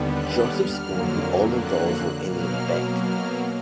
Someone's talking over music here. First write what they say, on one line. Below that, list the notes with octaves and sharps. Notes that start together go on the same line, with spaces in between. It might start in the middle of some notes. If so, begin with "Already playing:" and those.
Joseph scored the only goal for Indian Bank.
Already playing: D#2 D3 G3 B3
F#6
F6
F2 D3 F#3 A#3
F#6
B2 F#3 A#3 F6
F6